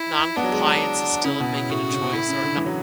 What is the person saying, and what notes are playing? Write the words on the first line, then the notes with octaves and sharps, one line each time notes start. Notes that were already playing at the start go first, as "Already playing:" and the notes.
"Non-compliance is still making a choice," or
Already playing: E4
B3 D4
F#3
G#3
F#3
C#3 E4
B2
B2
A2 F#4
C#3
B2
A2 E4
C#3
D3
E3
F#3